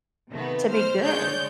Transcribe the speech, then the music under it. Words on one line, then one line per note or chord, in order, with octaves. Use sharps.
to be good,
C3 D#3 A3 B3
B2 C5 F6
D3 G#3 C#5 D5 G6